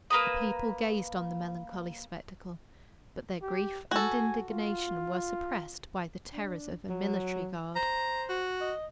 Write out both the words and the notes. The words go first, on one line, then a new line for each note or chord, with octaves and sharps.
The people gazed on the melancholy spectacle, but their grief and indignation were suppressed by the terrors of a military guard.
A#3 B4 A#5 D#6
G4
F#4 A4 G#5
F4
D4
F#3
C5 A#5
F#4
D#5